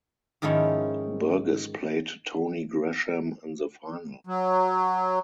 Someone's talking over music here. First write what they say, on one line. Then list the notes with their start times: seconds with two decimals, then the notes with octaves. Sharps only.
Burgess played Tony Gresham in the final.
0.42 G#2 D#3 F3 C#4 E4
4.27 F#3